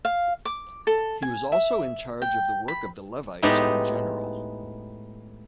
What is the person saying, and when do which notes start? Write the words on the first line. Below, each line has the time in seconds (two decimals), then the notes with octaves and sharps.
He was also in charge of the work of the Levites in general.
0.05 F5
0.45 D6
0.87 A4
1.22 G#5
1.52 E5
2.22 G5
2.68 B5
3.42 A2 G#3 B3 D#4 G4